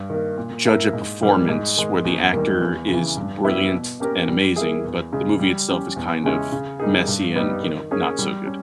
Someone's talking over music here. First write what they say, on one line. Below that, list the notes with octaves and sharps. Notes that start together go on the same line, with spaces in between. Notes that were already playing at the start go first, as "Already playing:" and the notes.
judge a performance where the actor is brilliant and amazing, but the movie itself is kind of messy and, you know, not so good?
Already playing: G2
D#3 A#3
A#2
A#3 E4 A#4
G#2
E3 G3 A#3
G#2
D#3 G#3
E2
D#3 G3 A#3
E2
C#3
E3
G2
G3 B3 E4 A#4
B2
A#3 C#4 G4 A#4
G3
A#3 E4 G#4
E2
C#3 G#3
G3
C#4 G4
E2
C#3 G#3 C#4 E4
C#3
G3 A#3 D#4 G#4
G2
G3 B3 D#4
D#3
A#3 C#4 G#4
G3
C#4